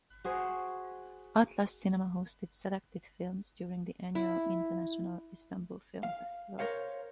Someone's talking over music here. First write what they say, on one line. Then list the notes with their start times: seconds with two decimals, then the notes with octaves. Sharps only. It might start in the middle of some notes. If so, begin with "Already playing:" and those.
Atlas Cinema hosted selected films during the annual International Istanbul Film Festival.
0.25 F#4 G#4 C5
4.15 E4
6.03 F5
6.59 A#4 C5 C#5 F5